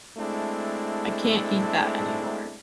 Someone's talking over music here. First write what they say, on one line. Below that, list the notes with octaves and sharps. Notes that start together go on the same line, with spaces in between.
I can’t eat that anymore.
G#3 A3 C4 D4 E4